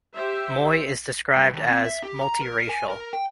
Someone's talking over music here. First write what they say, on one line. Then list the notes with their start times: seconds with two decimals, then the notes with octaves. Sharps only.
Moy is described as "multiracial".
0.14 G4 C5 E5
1.36 G2
1.53 D#2
1.68 C4
1.85 E5
2.03 G4
2.21 A#5
2.41 A#4
2.69 G#5
2.90 A#4
3.13 G5